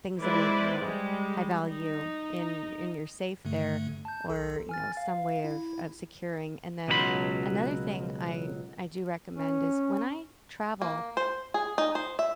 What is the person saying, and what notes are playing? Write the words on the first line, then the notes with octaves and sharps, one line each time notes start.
things that are, you know, of high value in in your safe there or, you know, some way of of securing, and then another thing I I do recommend is when I travel,
G#3 E4 B4 C5 D5
G3 G#3
D#4
G2 D3 A3
A5 G6
B1 A4
G#5 F6 A6
F5
E4
C#2 B2 F#3 G#4 B5 C6
C#4
A#3
C5
G#4
D#4
C5
E5